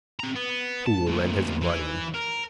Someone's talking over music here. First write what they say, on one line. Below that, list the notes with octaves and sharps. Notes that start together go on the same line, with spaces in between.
Fool and his money.
C4 A#5
B3
A5
D2 A#2
E3
A#4